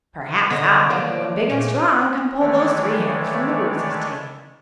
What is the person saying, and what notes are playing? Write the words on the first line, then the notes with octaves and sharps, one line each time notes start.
"But perhaps I, who am big and strong, can pull those three hairs from the Woozy's tail."
D3 D#5 A#5
D#3 F#3 A#3 D4
A#2 G#3 A3 C4
F#3
D#3 E3 G#3 A3 C#5 D5